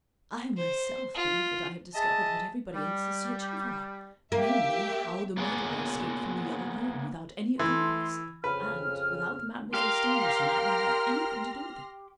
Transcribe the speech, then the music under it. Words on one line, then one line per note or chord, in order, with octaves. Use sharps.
I myself believe that I have discovered what everybody else is searching for, namely, how the murderer escaped from The Yellow Room, without any accomplice, and without Mademoiselle Stangerson having had anything to do with it.
C5
F4
G#4 D#5 E5 A5
G3
A#3 G4 E5
A#3 B3 G#4 C#5 D5
E3 A3 C6
F2 C#3 B4 F6
G4 A#4 F5 C6 F6 A#6